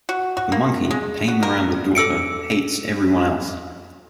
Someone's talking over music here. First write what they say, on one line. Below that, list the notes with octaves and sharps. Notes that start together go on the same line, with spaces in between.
The monkey, tame around the daughter, hates everyone else.
F#4
F#4
A#3
G#3
F#4
A#4
A4 E6 C#7 D7